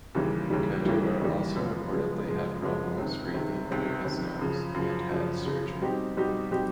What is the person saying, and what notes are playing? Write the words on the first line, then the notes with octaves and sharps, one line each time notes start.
Kaddour also reportedly had problems breathing through his nose and had surgery.
D#2 C#3 E3 G3
D#2 C#3 E3 G3
D#2 C#3 E3 G3
D#2 C#3 E3 G3
F#2 C#3 F3 G#3 B3
F#2 C#3 F3 G#3 B3
F#2 C#3 F3 G#3 B3
F#2 C#3 F3 G#3 B3
C#2 C3 D#3
C#2 C3 D#3
C#2 C3 D#3
C#2 C3 D#3
F#2 C#3 F3
F#2 C#3 F3
F#2 C#3 F3
F#2 C#3 F3
B2 G3 C4 D#4 G4
B2 G3 C4 D#4 G4
B2 G3 C4 D#4 G4